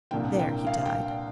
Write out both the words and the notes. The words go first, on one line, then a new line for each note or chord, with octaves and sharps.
There, he died.
C2 A#2 A#3 D4 G5
G5
F5
G5